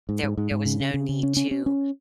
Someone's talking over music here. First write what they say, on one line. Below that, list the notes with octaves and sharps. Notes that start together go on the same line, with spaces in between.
There there was no need to
G#2
G#2
G#2
G#2
C#3
C#3
C#3
C#3
C#4
C#4
C#4
C#4